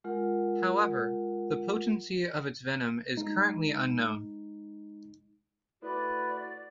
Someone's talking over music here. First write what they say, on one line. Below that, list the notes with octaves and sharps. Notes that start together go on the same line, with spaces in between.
However, the potency of its venom is currently unknown.
G#3 F4 A#4 F#5
G#3 D#4
A2 F#4 B4 D5